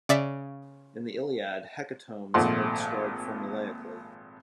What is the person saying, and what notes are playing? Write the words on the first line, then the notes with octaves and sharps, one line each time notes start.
In the Iliad hecatombs are described formulaically.
C#3 D5 E5 B6
G#1 A#2 F3 A3 F#5 C6